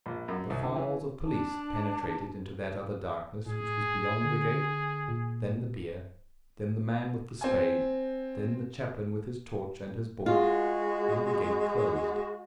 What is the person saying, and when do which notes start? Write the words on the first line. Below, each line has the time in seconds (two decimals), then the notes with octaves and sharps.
The files of police penetrated into that other darkness which was beyond the gate; then the bier; then the man with the spade; then the chaplain with his torch and his book, and the gate closed.
0.06 A#1
0.28 F#2
0.50 C2
0.63 D3
0.76 E3
1.26 D4 A5
3.46 A2 G#4
4.24 D3
5.08 A#2
7.41 C4 G#5
10.26 G#3 F4 F#4